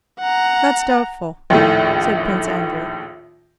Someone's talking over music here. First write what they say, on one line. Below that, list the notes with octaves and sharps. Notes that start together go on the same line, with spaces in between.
"That is doubtful," said Prince Andrew.
F#5 A#5
A#1 D#2 A2 A3